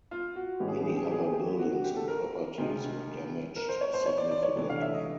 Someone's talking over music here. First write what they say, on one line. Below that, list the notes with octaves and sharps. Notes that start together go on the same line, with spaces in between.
Many other buildings and properties were damaged significantly.
F4
F#4
A2 E3 G#3 C#4 G4
G#4
G4
G#4
G4
G#4
G4
G#4
G4
G#4
G4
F#4
F#4
G4
A4
A#4
D2 C3 D#3 G#3
A#4
C5
C#5
C5
C#5
D5
D5
C#5
C3 E3 A3 D4
F5
E5
D#5